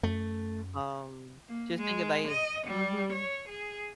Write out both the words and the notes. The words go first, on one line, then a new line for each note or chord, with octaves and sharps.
um, just thinking, like Mhm,
F#2 A3
A#3
G#3
D#5
G3
C#5
G#4